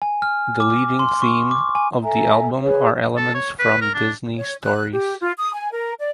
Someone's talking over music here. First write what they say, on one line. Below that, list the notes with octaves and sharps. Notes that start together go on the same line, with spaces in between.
The leading theme of the album are elements from Disney stories.
G#5
F6
D6
C6
C#6
D6
G#5
A4 E5 G#5 A#5
G#4 B4 C#5
A4
C#5
B4
A#4
D4
C#5
F#6
G4
F4
D#6
G#5
A#4
D5